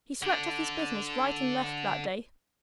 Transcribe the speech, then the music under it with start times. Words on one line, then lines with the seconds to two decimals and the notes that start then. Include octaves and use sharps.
He swept off his business right and left that day.
0.22 D3 D4